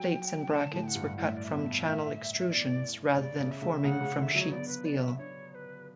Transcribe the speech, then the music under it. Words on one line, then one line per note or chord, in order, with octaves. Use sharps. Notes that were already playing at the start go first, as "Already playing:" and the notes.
Plates and brackets were cut from channel extrusions rather than forming from sheet steel.
Already playing: F#3 G5
D3 A5
A2
G5
F#5
G2
A2 F#5
E5
D5
E5
B2
A2
B2 D5
C#3 D5
C#3
E5
C#3
C#3 F#5
C#3
D3 F#5
E5
F#3
C#5
B3 D5
B4
D5
E5
D4 C#5
C#5
B4